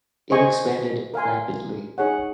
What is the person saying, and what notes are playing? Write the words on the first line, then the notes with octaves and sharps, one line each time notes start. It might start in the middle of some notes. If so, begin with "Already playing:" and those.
It expanded rapidly.
C5 D#5 G#5 C#6
A#4 F5 G#5 C6
D#4 G#4 C#5 F#5